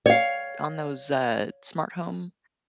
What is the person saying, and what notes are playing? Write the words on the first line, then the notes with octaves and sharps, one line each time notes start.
on those, uh, smart home
C#5 F5